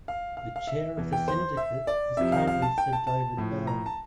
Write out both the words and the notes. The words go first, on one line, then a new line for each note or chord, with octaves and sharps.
The Chair of the Syndicate is currently Sir David Bell.
F5
F5
F5
E5
E2 E3
G5
C5
E5
D5
F2 C3 F3 E5
F5
F5
A5
G5
A5
A5
A2 F3
A#5
A5